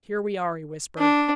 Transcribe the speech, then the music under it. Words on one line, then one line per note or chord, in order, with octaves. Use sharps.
"Here we are," he whispered.
D4